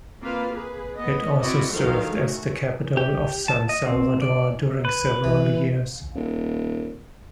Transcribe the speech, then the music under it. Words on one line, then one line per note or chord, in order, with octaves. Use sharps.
It also served as the capital of San Salvador during several years.
A#3 C4 F4 B4 F5
G#4 B4
B3 D#5
C4 E4 F#4 D5 D#5
D3 D#3 F3 F#3 C5 F5
A3 F#4
G4
A5
D#5
C4
D5
B4
E3
D#1